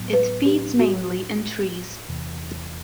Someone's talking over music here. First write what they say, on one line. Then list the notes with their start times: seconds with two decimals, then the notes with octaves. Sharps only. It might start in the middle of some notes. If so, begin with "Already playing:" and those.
It feeds mainly in trees.
Already playing: A2 F#3 B3 D4
0.13 B4
0.46 G4
0.79 F#4
2.08 E2 C3 E3